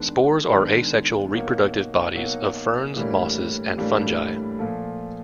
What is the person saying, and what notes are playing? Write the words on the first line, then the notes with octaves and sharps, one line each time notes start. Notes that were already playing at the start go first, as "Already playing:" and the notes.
Spores are asexual reproductive bodies of ferns, mosses and fungi.
Already playing: D#3 G#3 B3 D4
D#3 G#3 B3 D4
B2 F#3 A#3 D#4 F#4
B2 F#3 A#3 D#4 F#4
A2 E3 G3 A#3 D4
A2 E3 G3 A#3 D4
A#2 F3 A3